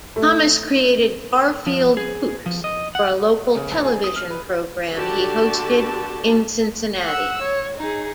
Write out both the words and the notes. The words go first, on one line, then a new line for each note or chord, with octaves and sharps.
Thomas created Garfield Goose for a local television program he hosted in Cincinnati.
A3
F3
G#4
F3
D#5
F#5
C#3
A#1
G#4
D#6
F6
B4
D3 F#4 G4 A5
F#5 E6
C#5
D#4 G#4